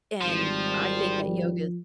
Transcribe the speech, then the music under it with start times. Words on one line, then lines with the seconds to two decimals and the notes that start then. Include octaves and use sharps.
and I think that yoga
0.21 G#1 F3 G3
1.27 F3